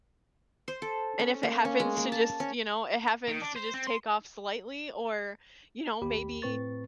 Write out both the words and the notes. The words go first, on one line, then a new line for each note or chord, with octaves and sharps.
and if it happens to just you know, it happens to just take off slightly, or, you know, maybe
C5
A4
C#4
A#3
C#4
G#3
A#3
A5
C#4
D#3
D4
C5
C4
C6
A1 D#2 G4 B5
A2 C4 B4 C#6 A6